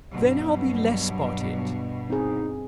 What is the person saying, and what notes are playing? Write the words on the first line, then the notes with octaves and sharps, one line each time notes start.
"Then I'll be less spotted."
G2 B2 F#3
C4 D#4 G#4